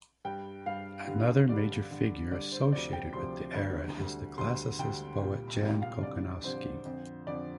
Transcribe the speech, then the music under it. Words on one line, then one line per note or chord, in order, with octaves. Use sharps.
Another major figure associated with the era is the classicist poet Jan Kochanowski.
G2 G3 G5
G2 G3 F5
G2 D3 G3
G2 D3 G3 D5
G2 D3 G3
G2 D3 G3 D5
C5
D2 C3 F3 D5
G5
D2 C3 F3 C6
D2 D3 G3
D2 D3 G3
D2 D3 G3 C6
D2 D3 G3 G5
C2 A#2 G3
C2 A#2 G3
F5
F2 D3 G3 D5
F2 D3 G3 C5
F2 D3 F3
F2 D3 F3 D5